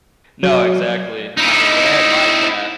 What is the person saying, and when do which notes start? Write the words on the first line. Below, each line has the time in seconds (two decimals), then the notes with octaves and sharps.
No, exactly. I mean, when I had my cat,
0.43 F#3
1.37 D#4 E4